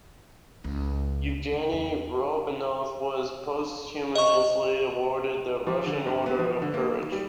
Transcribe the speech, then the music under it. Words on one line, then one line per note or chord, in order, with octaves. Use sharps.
Yevgeny Rodionov was posthumously awarded the Russian Order of Courage.
C#2
C#3
E2
D#5 C#6
F3
D3
G2
B3
F3
D3
A#3
D#3
G3